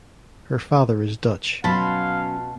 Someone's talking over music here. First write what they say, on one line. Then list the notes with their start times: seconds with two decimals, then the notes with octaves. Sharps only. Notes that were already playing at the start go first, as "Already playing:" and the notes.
Her father is Dutch.
1.64 B2 F#3 C#4 F#4 F5 A5 B5 C6